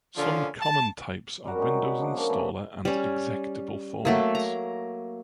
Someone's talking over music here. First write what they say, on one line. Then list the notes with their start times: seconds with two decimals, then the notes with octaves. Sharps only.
Some common types are Windows Installer and executable formats.
0.17 D3 F3 A#3 C#4 F4
0.61 A5
1.45 G3 C#4 F#4 A#4
1.58 G#3 C#4 D#4
1.83 B5
1.98 F3 D4
2.12 F3 A#3 C#4
2.29 C3 E3 A3
2.85 G3 C#4
4.05 F#3 A3 A#3
4.35 A#5